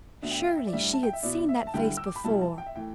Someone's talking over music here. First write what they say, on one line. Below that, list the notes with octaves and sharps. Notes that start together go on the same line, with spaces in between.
Surely she had seen that face before!
D2 D3 B3 D4 E5
G5
E5
G5
E5
D5
A2 G3 D4 E5
A5
G5
E5
B2 B3 E4 D5
E5
A5
D3 G3 E4 G5
E6
D6
B5
B2 G3 E4 A5
A5
G5
E5
A2 E3 A3 G5